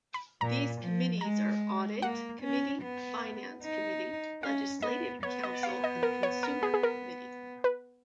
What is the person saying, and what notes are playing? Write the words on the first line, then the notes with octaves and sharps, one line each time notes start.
These committees are Audit Committee, Finance Committee, Legislative Council, and Consumer Committee.
B5
A#2 A#5
F3
G#3 A#5
A#3 F#5
C#4
B3
D#4
C#4 F5
B3 D#5
B3 C#5
D#5
F5
D#5
A#4
C#5
A#4
G#4
G#4
A#4
B4